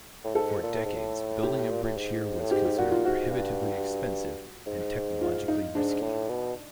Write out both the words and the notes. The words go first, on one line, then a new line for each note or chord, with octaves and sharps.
For decades, building a bridge here was considered prohibitively expensive and technologically risky.
A2
G#2 A4
A#2
A2
G#2
A2
G4
A#2
A2
G#2
A2
G#2 G4
G4
A#2 F#4
F4
G#2 F#4
G2
G#2
F4
D#4
G#2 D4
A2
B2